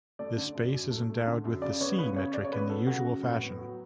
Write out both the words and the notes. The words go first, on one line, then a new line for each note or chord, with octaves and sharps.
This space is endowed with the "C" metric in the usual fashion.
A3 D5
D3
F#2
F#2
A3
A3
D3
F#2
C#3 D5
B3 C#5
C#3 B4
C#3 C#5
C#3 D5
C#5
B3 B4
F#3 A4
C#3 F#4
F#3
A2
B3
F#3